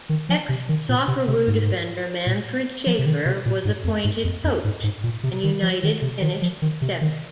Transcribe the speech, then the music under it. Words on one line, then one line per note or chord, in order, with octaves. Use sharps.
Ex-Socceroo defender Manfred Schaefer was appointed coach, and United finished seventh.
D#3
F3
C3
D#3
A#2
C3
C3
G#2
A#2
F3
C3
D#3
C3
A#2
G#2
F2
G#2
F2
F2
G#2
G#2
A#2
C3
D#3
F3
D#3
C3
D#3
F3
D#3
C3
D#3